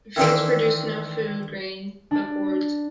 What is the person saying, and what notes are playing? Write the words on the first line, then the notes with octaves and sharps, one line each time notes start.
The fields produced no food grains, but gourds.
D#3 E3 C4 D4 G4 A4
D4